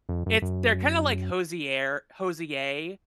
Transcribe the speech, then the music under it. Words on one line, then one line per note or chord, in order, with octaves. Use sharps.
it's they're kinda like Hozier Hozier
F2
F#2
F#2